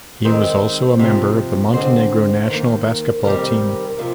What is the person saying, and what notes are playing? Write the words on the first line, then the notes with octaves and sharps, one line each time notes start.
He was also member of the Montenegro national basketball team.
D#3 G#3 C4 C5
C3 F3 C4
D3 G#3 C4 C5
D#3 A#3
C3 D#3 G3 C4 A#4
C3 F3